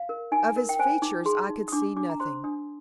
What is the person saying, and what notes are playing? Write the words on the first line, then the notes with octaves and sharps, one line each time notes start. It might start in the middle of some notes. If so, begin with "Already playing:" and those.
Of his features I could see nothing.
Already playing: F5
A#4
D#4 G#5
A#4
G5
C5 G#5
D#4 D6
G#4 C6
D#4
D#6
D4 D6
D4 D6
A#5
C5 C6
D4 D#6